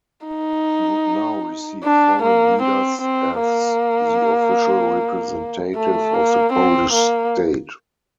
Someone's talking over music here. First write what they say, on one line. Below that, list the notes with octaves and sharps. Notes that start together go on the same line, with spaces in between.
He would now receive foreign leaders as the official representative of the Polish state.
D#4
D4
A#3
C4
C4
A#3
A3
A#3
C4
A#3